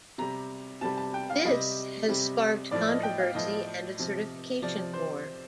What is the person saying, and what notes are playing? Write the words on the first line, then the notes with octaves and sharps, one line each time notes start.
This has sparked controversy and a certification war.
C3 G3 A#5
C3 G3 A5
A5
G5
F5
C3 G3 D#5
C3 G3
A2 F3 D5
D#5
G5
F5
A2 F3 D#5
C3 F3
C3 F3 D5
C5